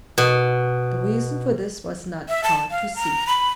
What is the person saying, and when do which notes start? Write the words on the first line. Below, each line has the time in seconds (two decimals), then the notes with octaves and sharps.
The reason for this was not far to seek.
0.18 B2
2.28 E5
2.43 A5
2.71 F5
2.96 A#5
3.27 B5